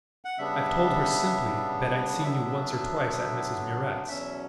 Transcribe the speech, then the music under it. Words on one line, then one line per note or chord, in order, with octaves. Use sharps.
"I've told her, simply, that I'd seen you once or twice at Mrs. Murrett's."
F#5
C#3 G3 B3 D4 E5
D3 F#3 B3 D4 E5
E2 B2 F#3 C#4 E5